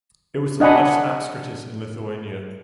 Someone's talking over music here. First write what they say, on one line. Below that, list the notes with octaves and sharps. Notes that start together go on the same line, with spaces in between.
It was the largest apskritis in Lithuania.
D4 D#5 F#5 G#5 B5